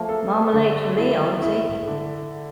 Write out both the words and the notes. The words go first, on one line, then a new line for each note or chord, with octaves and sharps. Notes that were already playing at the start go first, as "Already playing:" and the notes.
Marmalade for me, auntie.
Already playing: F3 A3 A#3
A4
D3
E4
E4
D3